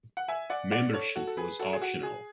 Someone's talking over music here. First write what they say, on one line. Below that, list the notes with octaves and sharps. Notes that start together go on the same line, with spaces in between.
Membership was optional.
F#5
E5 G#5
D5 F#5
D5 F#5
A4 C#5
F#4 A4
A4
G#4 B4
F#4 A4
G#4
F#4
G#4